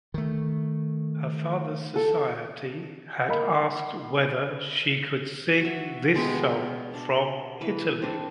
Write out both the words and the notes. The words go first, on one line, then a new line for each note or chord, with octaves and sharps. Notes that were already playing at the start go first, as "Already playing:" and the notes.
Her father's society had asked whether she could sing this song from Italy.
D#3 A3
A4
A#4 D#5 F5 B5
F#4 E5
B2 G#3 G4 E5
D4
E3 B4
C4 D4